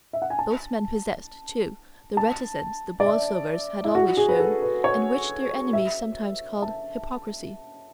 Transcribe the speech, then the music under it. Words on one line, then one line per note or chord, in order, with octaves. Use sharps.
Both men possessed, too, the reticence the Borlsovers had always shown, and which their enemies sometimes called hypocrisy.
E5
F#5
G#5
A5
A5
D5
E5
E4
F#4
G#4
B4
A4
B4
C#5
E5
A5